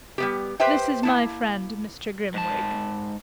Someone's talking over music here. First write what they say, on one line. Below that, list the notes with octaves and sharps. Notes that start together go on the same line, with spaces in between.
'This is my friend, Mr. Grimwig.
G3 B3 G4
G4 B4 C5 E5 G5
A#3 E4 A5
G#2 A5